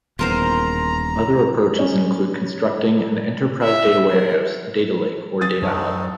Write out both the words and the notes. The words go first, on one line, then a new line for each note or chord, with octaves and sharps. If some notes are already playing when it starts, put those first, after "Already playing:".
Other approaches include constructing an Enterprise data warehouse, Data lake, or Data hub.
D#1 E2 B3 F4 A#4 C5 A#5
C#4
E5
A#4
D#6 A6
F#2 F#3 A3 C4 D4 D#4